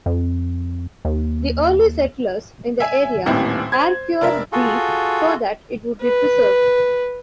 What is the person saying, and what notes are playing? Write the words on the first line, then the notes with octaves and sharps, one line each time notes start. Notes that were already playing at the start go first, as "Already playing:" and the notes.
The early settlers in the area air-cured beef so that it would be preserved.
F2
D#2
E5 G#5
D#1 A1 D#2 C4 E4
C5 G#6
F1 D4 A#4 E5
F4 F#4 G#4 A4
B4